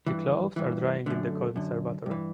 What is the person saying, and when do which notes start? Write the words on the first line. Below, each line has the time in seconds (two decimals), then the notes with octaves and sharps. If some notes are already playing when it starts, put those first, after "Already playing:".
The clothes are drying in the conservatory.
0.07 G2 E3
0.56 G2 E3
1.06 F#2 D3 A3
1.56 F#2 D3
2.06 G2
2.11 E3